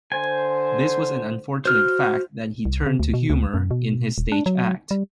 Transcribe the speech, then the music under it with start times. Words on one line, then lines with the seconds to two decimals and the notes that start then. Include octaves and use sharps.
This was an unfortunate fact that he turned to humour in his stage act.
0.12 D3 C5 G#5
1.65 F#4 C5 F6
2.65 C2
2.86 C#3
3.00 D2
3.14 B2
3.30 D2
3.54 F#2
3.71 B2
4.18 D#1
4.32 D4
4.46 F#3
4.91 G3